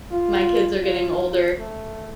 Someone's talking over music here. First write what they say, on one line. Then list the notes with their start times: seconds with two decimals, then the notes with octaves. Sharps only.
my kids are getting older,
0.11 F4
0.83 F4
1.59 A3